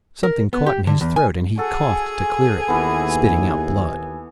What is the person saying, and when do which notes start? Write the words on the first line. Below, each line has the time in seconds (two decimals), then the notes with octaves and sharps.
Something caught in his throat and he coughed to clear it, spitting out blood.
0.23 A#4
0.53 B3
0.66 G4
0.87 D3
1.01 E2
1.16 G#5
1.58 F#4 G#4 A4 G#5
2.68 D#2 E3 B3